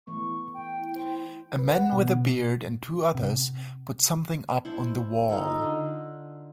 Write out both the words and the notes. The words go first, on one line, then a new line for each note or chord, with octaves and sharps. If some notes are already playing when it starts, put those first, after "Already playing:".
A man with a beard and two others put something up on the wall.
E3 A3 B3 C#6
G5
E4
C5
B4
F#5
B2
C3
E4 C5 A5
D#4 F4 A4
D3